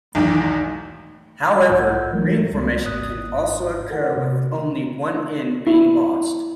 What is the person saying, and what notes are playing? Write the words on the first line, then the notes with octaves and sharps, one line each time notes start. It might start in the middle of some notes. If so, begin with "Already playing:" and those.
However, ring formation can also occur with only one end being lost.
B1 E2 G#2 D#3
B1 G#2 F4 F#5 G6
E3 F#3 G#3 A3 A#4
C#2 A3
G#1 G#2 D5 D#6 F#6
A4 A#4 F#5
C3
E4